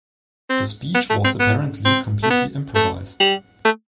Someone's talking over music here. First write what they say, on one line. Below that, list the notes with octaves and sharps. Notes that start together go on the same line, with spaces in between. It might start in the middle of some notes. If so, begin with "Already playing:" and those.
The speech was apparently completely improvised.
C4
B3
A3
C4
B3
C4
A3
B3
A3
G3
A3